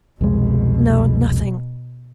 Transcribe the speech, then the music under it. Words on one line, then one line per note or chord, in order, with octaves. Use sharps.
'No, nothing.
C2 F2 B2 G#3